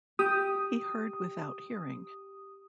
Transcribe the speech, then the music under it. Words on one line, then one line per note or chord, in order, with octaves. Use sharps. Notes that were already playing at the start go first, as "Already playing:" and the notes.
He heard without hearing.
G4 D#6 G6